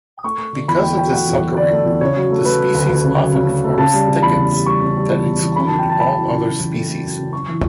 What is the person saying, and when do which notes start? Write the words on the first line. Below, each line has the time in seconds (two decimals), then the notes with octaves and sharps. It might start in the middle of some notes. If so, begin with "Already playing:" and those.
Because of this suckering, the species often forms thickets that exclude all other species.
0.24 A3 C#6
0.38 A3
0.53 D3
0.68 E2 B5
0.82 A3 G5
0.98 F#3 G5
1.12 A3 F#5
1.27 E2
1.41 F#3
1.57 D3 D5
1.72 A3
1.86 E2
2.01 C#3 C#5
2.16 F#3
2.31 A3
2.45 A3 B4
2.60 F#3
2.74 D2
2.89 D2
3.05 C#3
3.20 F#3
3.34 C#3
3.49 A3
3.64 A3
3.78 C#3 A5
3.94 G3
4.08 C#3
4.22 E2 B5
4.37 C#3
4.53 G3
4.66 G3 C#6
4.82 C#3
4.97 G3
5.11 E2
5.26 E2
5.40 E2
5.55 F#2 B5
5.67 C#3 A5
5.78 G5
5.86 C#3 A5
6.00 F#2 B5
6.14 E3
6.30 C#3
6.44 F#2
6.59 E3
6.74 A3
6.89 A3
7.04 F#2
7.19 C#3
7.33 F#2 C#6
7.48 E3